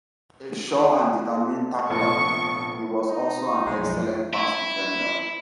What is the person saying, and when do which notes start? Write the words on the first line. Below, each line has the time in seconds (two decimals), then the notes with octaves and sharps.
A sure and determined tackler, he was also an excellent pass defender.
1.26 A4
1.90 F1 A#1 B3 A4 C#6
3.09 D#4
3.66 B1 F#2 F3 G#3
4.33 E4